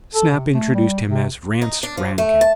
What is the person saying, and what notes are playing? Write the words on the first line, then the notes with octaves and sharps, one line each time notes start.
Snap introduced him as Rance Rankin.
A4
C3
A3
G3
C3
D#4
D4
F3
A3
A5